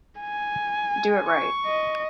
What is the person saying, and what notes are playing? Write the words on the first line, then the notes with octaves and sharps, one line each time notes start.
Do it right.
G#5
C#6
D#5